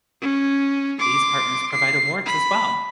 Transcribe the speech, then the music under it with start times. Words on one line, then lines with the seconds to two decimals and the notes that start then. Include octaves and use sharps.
These partners provide awards as well.
0.22 C#4
0.99 C6 D6
1.72 C7
2.26 B5